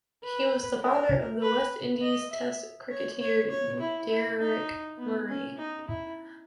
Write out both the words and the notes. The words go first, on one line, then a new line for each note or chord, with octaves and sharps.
He was the father of the West Indies Test cricketer Deryck Murray.
B4
A#4
B4
D#5
E5
C#5
C#5
C#5
E4
E4
D#4
B3
C#4
D#4
E4